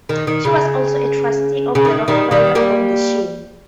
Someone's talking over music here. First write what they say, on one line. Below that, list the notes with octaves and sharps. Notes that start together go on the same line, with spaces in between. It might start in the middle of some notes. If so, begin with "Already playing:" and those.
She was also a trustee of the Rockefeller Foundation.
D#3
D#3
C#3
C#3
D#3
D#3 G3
D#3 G3
G3 A#3